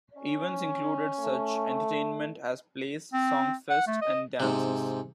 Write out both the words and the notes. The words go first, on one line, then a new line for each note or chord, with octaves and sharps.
Events included such entertainment as plays, songfests, and dances.
C#4
A3
C4
F#5
A3
D#5
G#2 C3